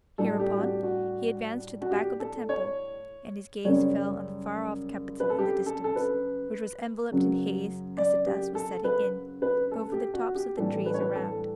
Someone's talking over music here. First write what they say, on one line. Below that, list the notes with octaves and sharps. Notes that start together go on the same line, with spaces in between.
Hereupon, he advanced to the back of the temple, and his gaze fell on the far-off Capital in the distance, which was enveloped in haze as the dusk was setting in, over the tops of the trees around.
A2 G3 D4 A4
G4
F#4
G4
F#4
F#4
G4
A4
C#5
F#2 C#3 G3 C#5
B4
A4
G4
A4
A4
B4
F#2 C#3 F#3
D5
G4
A4
B4
B4
A4
G4
F#4
G4
A2 E3 G3 D4 A4
B4
C#5
B4
A4